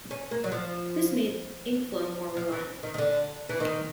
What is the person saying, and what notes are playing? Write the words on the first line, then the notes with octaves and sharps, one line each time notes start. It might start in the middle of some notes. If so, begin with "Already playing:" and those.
This made ink flow more reliable.
C#4
A#3
F#3
F3
F3
E3
D#3
D#3
D3
E3
D#3